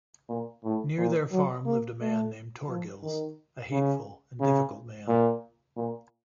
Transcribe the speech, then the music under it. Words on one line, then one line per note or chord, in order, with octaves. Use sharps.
Near their farm lived a man named Thorgils, a hateful and difficult man.
A#2
A2
A#2
F#3
A#3
A3
F3
D#3
C#3
C#3
A#2
A#2